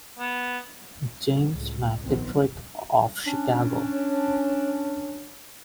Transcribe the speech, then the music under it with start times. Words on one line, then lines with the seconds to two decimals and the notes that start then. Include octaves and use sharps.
James McKittrick, of Chicago.
0.19 B3
1.53 C#2 A2
2.02 A#1 F2 B2 D#3 B3 C4
3.26 C#4 D4